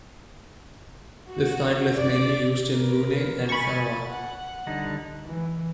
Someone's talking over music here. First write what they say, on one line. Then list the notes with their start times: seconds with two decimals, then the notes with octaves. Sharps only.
This title is mainly used in Brunei and Sarawak.
1.31 F#4
1.96 D5
2.73 A#4 B4
3.49 G#5 B5 C#6 A6
4.07 F#5
4.67 D3 G3 D#4
5.25 E3